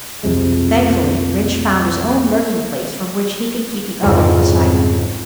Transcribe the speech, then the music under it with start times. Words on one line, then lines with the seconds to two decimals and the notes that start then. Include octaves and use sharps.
Thankfully Rynch found his own lurking place from which he could keep the other in sight.
0.23 B1 F2 C3 G#3
4.03 C2 F2 G#2 C#3